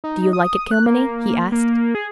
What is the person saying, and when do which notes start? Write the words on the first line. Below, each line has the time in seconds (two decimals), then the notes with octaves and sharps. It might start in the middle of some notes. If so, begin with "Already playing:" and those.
"Do you like it, Kilmeny?" he asked.
0.04 D#4
0.33 D#6
0.71 F#6
0.86 A#3
1.52 A#3
1.95 G#4